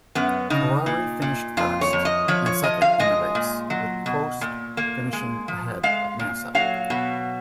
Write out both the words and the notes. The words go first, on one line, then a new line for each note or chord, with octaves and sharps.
Ferrari finished first and second in the race, with Prost finishing ahead of Mansell.
F#2 B3
C#3 D#4
A#2
A#2
F2 F4
C#5
F2
D#5
F3 C#5
C#5
F3 D#5
F5
G#3 D#5
A#2
F#3
B2
A#2
A#3
G#3
F3
G#3 F5
A#2
F#3 F5
B2